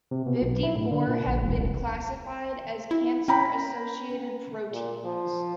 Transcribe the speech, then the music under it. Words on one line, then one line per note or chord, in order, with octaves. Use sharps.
Fifty-four have been classified as cancer associated proteins.
C3
B2
B1
E4
A2
D3
A#2
A#1
E1
C2
E4
C#4 G5 A#5 B5
A#2
F3